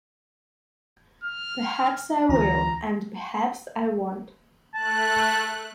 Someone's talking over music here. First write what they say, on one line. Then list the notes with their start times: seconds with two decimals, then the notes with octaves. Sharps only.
Perhaps I will, and perhaps I won't.
1.24 F6
2.29 D2 E3 F4 A#5
4.74 A3 A5 F#6